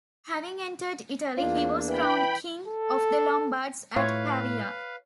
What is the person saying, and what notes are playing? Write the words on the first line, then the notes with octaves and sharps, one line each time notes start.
Having entered Italy, he was crowned King of the Lombards at Pavia.
E2 A#3 D4 F4
E3 G5 B5
A4
A2 F4 B4 C#5 E5 F5